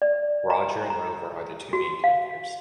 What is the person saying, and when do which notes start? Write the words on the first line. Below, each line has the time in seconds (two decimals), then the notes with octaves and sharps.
Roger and Rover are the two main characters.
0.02 D5
0.50 A#5
0.90 A#5
1.73 F#4
2.04 F5